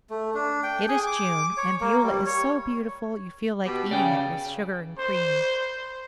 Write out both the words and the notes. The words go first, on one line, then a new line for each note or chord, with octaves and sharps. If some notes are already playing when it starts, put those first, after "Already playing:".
It is June, and Beulah is so beautiful you feel like eating it with sugar and cream!
A3
D4
G5
G#4
D6
C#5
A#3
G3
C#5
B2 G4
C#3 D5 G5
C5